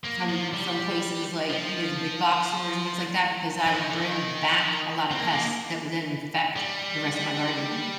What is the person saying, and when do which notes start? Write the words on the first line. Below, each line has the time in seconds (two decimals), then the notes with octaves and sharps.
from from places, like, you know, the big box stores, and things like that, because I would bring back a lotta pests that would then infect the rest of my garden.
0.05 A#3
0.29 F3
0.54 G3
1.50 F3
3.67 F3
3.78 D#3
3.90 D3
4.01 D#3
5.11 C4
5.19 A#3
5.26 G#3
5.33 A#3
6.57 G3